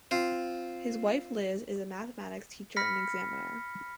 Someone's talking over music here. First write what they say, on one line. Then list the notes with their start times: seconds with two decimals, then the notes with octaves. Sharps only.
His wife, Liz, is a mathematics teacher and examiner.
0.11 C4 F4
2.76 B5 F6 A#6 B6 C#7